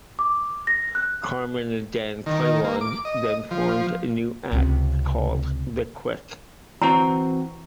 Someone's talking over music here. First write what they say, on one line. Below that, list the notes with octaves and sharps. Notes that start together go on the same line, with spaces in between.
Carmen and Dann Klawon then formed a new act called The Quick.
D6
A#6
F#6
D#3
A#3
D6
D#5
F3
C#2 C3
E3 C4 F#4 A#5